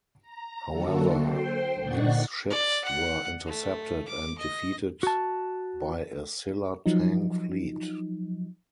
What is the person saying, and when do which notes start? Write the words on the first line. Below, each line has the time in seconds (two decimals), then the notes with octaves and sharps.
However, these ships were intercepted and defeated by a Silla-Tang fleet.
0.22 A#5
0.69 D3 F#3 A#3 F#4 A4
1.21 C5 G5 C6
1.80 A#2 D3 D#4 D5 F#5 C#6
2.50 D5
2.84 F#5
3.46 A3
4.08 D6
4.38 D#5
5.03 F#4 A5
6.86 F3 F#3 D#4